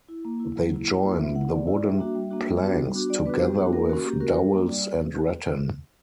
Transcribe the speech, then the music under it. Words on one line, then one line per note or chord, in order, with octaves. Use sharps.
They join the wooden planks together with dowels and rattan.
E4
A#3
E4
F#3
A#3 E4
F#3
A#3 E4
B3 E5
E4 F#5
B3 D5
E4 D5
G3 E5
A#3 D4 F#4
G3
A#3 D4 F#4
G3
B3 D4 F#4
G3
B3 D4 F#4
G3 D5
B3 D4 F#4 B4
G3 G4
B3 D4 F#4
A#3 A#4
C#4 F#4
A#3 G4
C#4 F#4 A#4
G3
A#3 D4
G3 D5